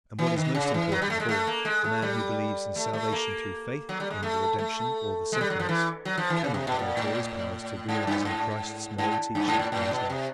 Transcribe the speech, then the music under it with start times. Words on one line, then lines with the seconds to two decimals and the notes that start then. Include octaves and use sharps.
And what is most important of all--the man who believes in salvation through faith in the redemption or the sacraments, cannot devote all his powers to realizing Christ's moral teaching in his life.
0.19 E3
0.36 D#3
0.55 C#3
0.74 E3
0.92 F#3
1.02 G3
1.10 A3
1.20 G#3
1.29 A3
1.47 A#3
1.65 G#3
1.84 A3
2.02 G3
2.76 A3
2.93 A3
3.12 A#3
3.89 F#3
4.00 G3
4.10 G#3
4.23 A3
4.58 A3
5.32 G#3
5.41 G3
5.50 F#3
5.59 F3
5.69 E3
6.05 F#3
6.17 F3
6.30 E3
6.44 C#3
6.54 C3
6.67 B2
6.79 A#2
6.97 A2
7.89 G#2
8.07 G2
8.25 G#2
8.98 G#2
9.35 G2
9.48 G#2
9.59 A2
9.72 A2
9.91 B2
10.10 C3